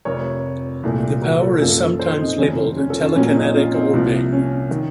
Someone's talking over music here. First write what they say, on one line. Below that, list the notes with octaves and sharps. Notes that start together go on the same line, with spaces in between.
This power is sometimes labeled Telekinetic Orbing.
F1 F2 C3 A#4 C#5
C2 A#2 A3
F#4 A#4
F4 A4
F#2 F3 A#3 F4 A4
A4 C5
C4 D#4
F1 D#2 C#3 F#3 C#4
C4
C#4
F4 A4
C#4 F4
A#1 A#2 F#3 A#3 C#4
C#4
C4 D#4
C#4 F4
C4 D#4
C2 C3 F3 A#3
C#4
D#3